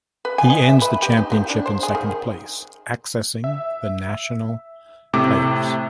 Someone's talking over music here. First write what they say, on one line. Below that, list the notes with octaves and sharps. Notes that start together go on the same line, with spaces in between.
He ends the championship in second place, accessing the national playoffs.
B4
G#5
D#5
E5
B4
G4
D#4
E3
D4
C5
G#4
D#3
E5
A2 C3 A3 D6